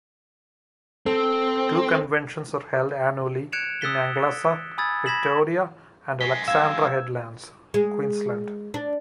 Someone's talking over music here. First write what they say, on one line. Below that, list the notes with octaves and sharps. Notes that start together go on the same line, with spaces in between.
Two conventions are held annually in Anglesea, Victoria and Alexandra Headlands, Queensland.
C4 A4
F#6 G#6 C#7 D7 E7 F7
D#6 E6 F#6 A6 B6 G7
G#5 B5 D#6 E6 G#6 A6
B5 G#6 A#6 B6 E7 F#7
F#2 G#3 B6 G7
F5 E6 G#6
G#3
D4